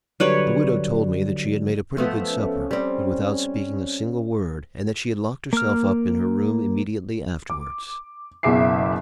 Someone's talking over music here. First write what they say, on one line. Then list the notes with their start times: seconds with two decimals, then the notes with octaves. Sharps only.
The widow told me that she had made a pretty good supper, but without speaking a single word, and that she had locked herself up in her room immediately afterwards.
0.20 D3 F#3 G3 B4 C#5
1.97 F3 A3 B3
2.29 C#4
2.71 G3 C4
5.53 A#3 F6
7.50 D6
8.43 F#1 B2 G#4 E5 D6 C7